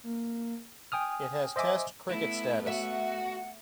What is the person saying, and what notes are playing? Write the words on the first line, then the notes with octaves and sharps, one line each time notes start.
It has Test cricket status.
A#3
G5 G#5 D#6 F6
C5 D#5 E5 G#5 D6
A3 B3 E4
F#4 E5 F#5